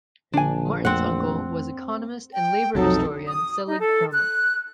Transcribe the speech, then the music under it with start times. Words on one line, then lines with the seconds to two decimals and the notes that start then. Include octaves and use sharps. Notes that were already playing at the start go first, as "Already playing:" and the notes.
Martin's uncle was economist and labor historian Selig Perlman.
0.34 A#1 D3 D4 G#5
0.85 F2 A3 C4 F#5 F#6
2.33 G5
2.75 B1 F2 C3 F#3 D#4 A4
3.27 D#6
3.67 D#4
3.81 A4
4.12 F#6